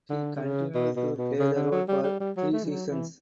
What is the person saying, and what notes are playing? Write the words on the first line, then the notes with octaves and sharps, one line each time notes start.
He continued to play the role for three seasons.
D3
D3
C#3
B2
B2
B2
C#3
D3
F#3
G3
G3
G3
F#3
A3
E3
F#3
E3